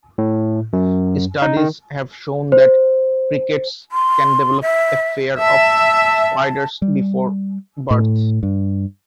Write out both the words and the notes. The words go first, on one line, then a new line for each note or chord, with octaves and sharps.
Studies have shown that crickets can develop a fear of spiders before birth.
A2
F#2
D#4
D#3
C5
C6
E5
E5 A5
G3
A2
G2